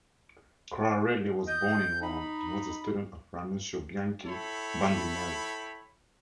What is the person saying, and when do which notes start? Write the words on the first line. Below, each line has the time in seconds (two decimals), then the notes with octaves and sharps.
Coarelli was born in Rome and was a student of Ranuccio Bianchi Bandinelli.
1.47 D#5 G6
2.02 D#4 B5
4.26 E4 A4 C#5 G5 B5